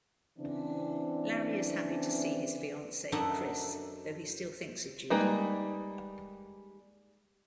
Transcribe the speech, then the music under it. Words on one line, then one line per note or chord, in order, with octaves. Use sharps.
Larry is happy to see his fiancee, Chris, though he still thinks of Judy.
C#3 E3 C4 D4
F#2 D4 D#4 A4 E5 F#5
G3 G#3 A#3 D#4 B4